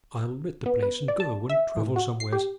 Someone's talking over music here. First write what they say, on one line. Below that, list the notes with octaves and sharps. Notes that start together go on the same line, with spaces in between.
I'll let the place, and go and travel somewheres.
B3
B4
D5
A5
E5
A2
F#4
C7
G4